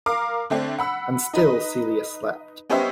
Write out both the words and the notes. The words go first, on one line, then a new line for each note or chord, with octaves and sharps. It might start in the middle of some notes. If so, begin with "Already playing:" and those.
And still Celia slept.
A#4 F5 D6
D3 A3 C4 D4
F#5 B5 E6
D#4 B4 D#5
B3 C#4 G4 C5 D#5 E5